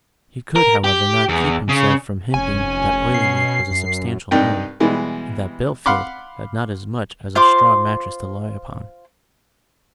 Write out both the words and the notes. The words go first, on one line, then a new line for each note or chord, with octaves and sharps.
He could, however, not keep himself from hinting that Oileymead was a substantial home, and that Bellfield had not as much as a straw mattress to lie upon.
A#4
G4
E2
C#3
F1 C#4 G#5
B2 C7
F#2
C2 G2 D#4 G5
B2 E3 G3 G#3
F5 F#5 B5 C6 D6
F4 C5 C6 D6